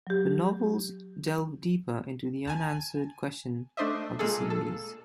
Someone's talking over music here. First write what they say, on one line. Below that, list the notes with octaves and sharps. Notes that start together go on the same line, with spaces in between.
The novels delve deeper into the unanswered questions of the series.
F#3 G4
G#5 A5
A3 D4 C5 D#5 E5
A#2 G#3 A#3 G#4 A4
A4